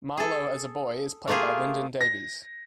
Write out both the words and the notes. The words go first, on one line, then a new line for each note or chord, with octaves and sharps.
Marlow as a boy is played by Lyndon Davies.
G#4 A4
A3 A#3 F4 G4 G#4
A#6